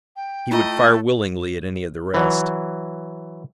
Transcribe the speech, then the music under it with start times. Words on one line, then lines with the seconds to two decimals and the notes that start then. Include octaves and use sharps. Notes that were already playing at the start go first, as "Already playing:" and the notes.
He would fire willingly at any of the rest.
0.16 G5
0.51 A3 E4 F4 D#5 B5
2.14 E3 F#3